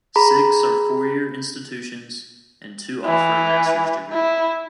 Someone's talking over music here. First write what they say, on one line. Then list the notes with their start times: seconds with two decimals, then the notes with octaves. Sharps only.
Six are four-year institutions, and two offer a master's degree.
0.16 G#4 A#5 B5
3.07 E3
4.12 E4